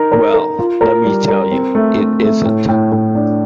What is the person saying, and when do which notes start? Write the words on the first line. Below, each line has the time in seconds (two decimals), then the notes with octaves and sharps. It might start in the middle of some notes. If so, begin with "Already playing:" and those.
Well, let me tell you, it isn't!
Already playing: D#4 A#4
0.12 A#4
0.34 A#4
0.59 F4
0.81 A#4
1.05 G3
1.28 A#4
1.52 C4
1.75 A3
1.98 A3
2.23 A3
2.45 A2
2.68 A2
2.92 A2
3.15 D4